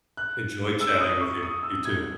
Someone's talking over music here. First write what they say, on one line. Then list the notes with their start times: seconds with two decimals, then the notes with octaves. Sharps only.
Enjoy chatting with you. You too.
0.17 F#6
0.80 E6
1.01 D#6
1.21 C#6
1.43 D#6
1.63 E6
1.85 G#6